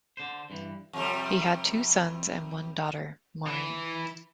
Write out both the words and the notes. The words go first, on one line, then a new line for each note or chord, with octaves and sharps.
He had two sons and one daughter, Maureen.
D3 C5
G2 E3
F2 C3 G3
E3